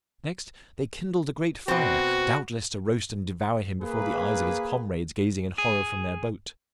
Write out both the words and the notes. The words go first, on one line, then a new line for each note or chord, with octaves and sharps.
Next they kindled a great fire,--doubtless to roast and devour him before the eyes of his comrades, gazing in horror from their boat.
B2 C4 F#4
A#3 G#4 B4
G#4